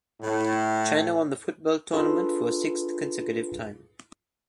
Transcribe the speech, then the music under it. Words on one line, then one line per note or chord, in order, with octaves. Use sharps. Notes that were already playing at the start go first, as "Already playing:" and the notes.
China won the football tournament for a sixth consecutive time.
A2
D4 F4 G#4 A4 B4